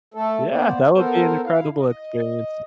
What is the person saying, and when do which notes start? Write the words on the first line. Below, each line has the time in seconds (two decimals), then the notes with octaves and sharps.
Yeah, that would be an incredible experience.
0.14 A3 A4
0.51 A#3 B3 C5 D5
0.95 B3 A4 A#4 C5
1.46 E4 F5
1.79 D#5